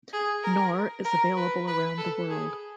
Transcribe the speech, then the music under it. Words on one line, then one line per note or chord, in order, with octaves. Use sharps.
Knorr is available around the world.
G#4
A#4
A#4
B4
B4
A4
G#4